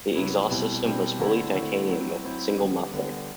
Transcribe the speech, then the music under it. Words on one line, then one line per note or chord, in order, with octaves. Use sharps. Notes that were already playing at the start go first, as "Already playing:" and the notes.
The exhaust system was fully titanium with single muffler.
C3 F#3 B3 E4
B2 G3 C4 E4
B2 G3 C4 E4
D3 A3 C4 E4
D3 A3 C4 E4
F#3 C4 E4
F#3 C4 E4
D3 G3 B3
D3 G3 B3